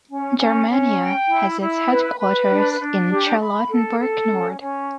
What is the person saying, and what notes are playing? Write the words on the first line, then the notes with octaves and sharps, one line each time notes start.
Germania has its headquarters in Charlottenburg-Nord.
C#4
C#4
C#4
G5
E4
E4
B4
B4
D4
D4
G4
B5
A4
A4
C#4
C#4